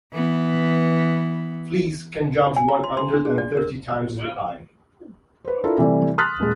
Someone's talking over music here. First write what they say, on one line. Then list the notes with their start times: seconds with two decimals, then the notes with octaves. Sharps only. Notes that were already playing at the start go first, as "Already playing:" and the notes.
Fleas can jump one hundred and thirty times their height.
0.13 E3 B3
2.56 G#5
2.69 A#5
2.84 C6
2.97 C6
3.14 D4
3.25 G#4
3.38 D5
3.57 A#4
5.45 B4 C5
5.64 D4 E4 F4 A4 A#4
5.78 C3 E3 G3 A3
6.18 C6 D#6 F6 F#6 A6 B6
6.40 D#1 G#3